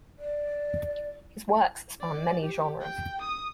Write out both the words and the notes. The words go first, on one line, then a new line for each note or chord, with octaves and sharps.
His works span many genres.
D5
D5
G4
G5
D#6